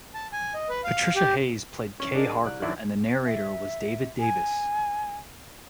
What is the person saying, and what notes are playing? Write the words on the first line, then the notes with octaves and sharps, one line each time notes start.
Patricia Hayes played Kay Harker and the narrator was David Davis.
A5
G#5
D#5
B4
F5
G4
C#4
D4 G#4 A#4 D#5
C2 D5 F#6
F#2 D#3 D4 E4
E5
G#5